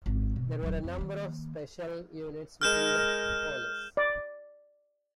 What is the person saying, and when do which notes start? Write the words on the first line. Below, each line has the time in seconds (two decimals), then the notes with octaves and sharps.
There were a number of special units within the police.
0.06 G#1
0.36 B2
0.63 D#1 F#3
0.84 F2
0.98 D#3 A#3
2.61 G#3 A#4 F6 G6 E7
3.97 D5